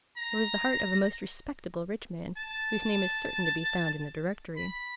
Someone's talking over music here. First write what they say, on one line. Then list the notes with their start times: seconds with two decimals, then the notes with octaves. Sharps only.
It was the heart of a most respectable rich man, whose name is certain to be found in the Directory.
0.17 A#5
2.37 A5
4.57 B5